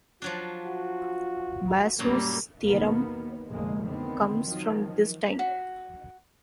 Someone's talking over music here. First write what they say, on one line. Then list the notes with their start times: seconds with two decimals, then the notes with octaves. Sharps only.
Basu's theorem comes from this time.
0.22 F3 F#3 D4 F4
0.66 F#4
1.99 F#2 A#2 G3 A#3
2.64 D#2 B2 D#3 A#3 B3
3.49 F1 A#1 F2 D3 G#3 A#3
3.82 D3 D#3 B3 C4
4.45 D#3 F3 F#3
5.39 F#4